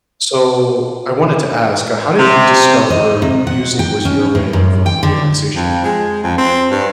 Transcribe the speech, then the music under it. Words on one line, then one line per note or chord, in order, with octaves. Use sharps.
so I wanted to ask, how did you discover music was your way of, uh, relaxation?
C3
D#5
C3
F#5
G5
C#4
A2
F#2
G5
D3
F2
G#3
F2
C4
G2